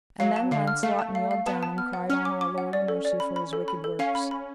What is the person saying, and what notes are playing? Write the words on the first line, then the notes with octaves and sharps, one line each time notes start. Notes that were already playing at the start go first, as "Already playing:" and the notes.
And then Launcelot kneeled down and cried on Our Lord mercy for his wicked works.
F#3 F5
A5
D3 F5
F6
A3 F5
A5
F5
F5
B3 A5
A5
F6
F#5
C#4 F6
D6
D6
F#5
D5
A4
D5
B5
B5
A4
B5
A4
C#4 F5
B5
B5